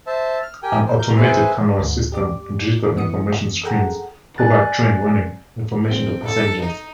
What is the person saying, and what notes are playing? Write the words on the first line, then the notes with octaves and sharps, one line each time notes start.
An automated Tannoy system and digital information screens provide train running information to passengers.
C5 E5 A5
F6
G4 A#4 G5 G#5
C5
A#4 G6
G#4 B4 C5 E5 G#5
D2 G#2
G4 D5 D6
F#2 E3 B3 D#6 C#7
G#4 A4 F#5 G5 A#5
D5 G#5 F#6 A6
C4
A4
D#4